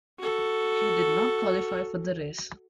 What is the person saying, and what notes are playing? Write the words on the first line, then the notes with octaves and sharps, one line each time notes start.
He did not qualify for the race.
F#4 A4